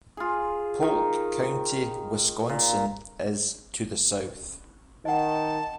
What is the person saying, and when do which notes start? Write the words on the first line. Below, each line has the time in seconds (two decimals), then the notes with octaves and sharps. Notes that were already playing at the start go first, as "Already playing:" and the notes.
Polk County, Wisconsin, is to the south.
0.17 F4 G#4
0.83 D#3
2.49 A#2
5.05 D#3 D#5 F#5 A5